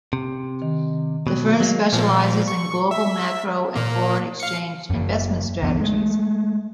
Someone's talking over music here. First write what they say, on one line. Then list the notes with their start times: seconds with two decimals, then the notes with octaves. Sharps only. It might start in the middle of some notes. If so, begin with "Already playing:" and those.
The firm specializes in global macro and foreign exchange investment strategies.
0.13 C3
0.62 D#3
1.27 B2 F#3
1.60 F#3 G#3 A#3
1.93 A#2 F3
2.48 C#6
2.91 E5
3.75 A#2 A#3
4.40 F5 C#7
4.90 F#2 A#3
5.62 C2 E3 B3
5.81 G#3 A3